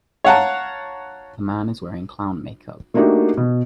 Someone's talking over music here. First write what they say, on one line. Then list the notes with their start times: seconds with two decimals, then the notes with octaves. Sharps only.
A man is wearing clown makeup.
0.25 C#5 F5 F#5 A5 A#5
2.94 A3 A#3 D4 D#4 F#4 G4
3.37 B2